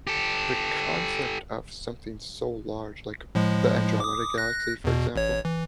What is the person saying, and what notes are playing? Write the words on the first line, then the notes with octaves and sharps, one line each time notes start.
the concept of something so large- like the Andromeda galaxy, for example-
G4 A4
A2 F3 G#3
D6 D#6
F#6 A#6
E2 B2
A1 C#5
E3